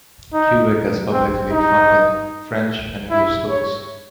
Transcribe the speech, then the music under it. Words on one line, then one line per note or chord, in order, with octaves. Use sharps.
Quebec has publicly funded French and English schools.
D#4
C4
D#4
E4
C#5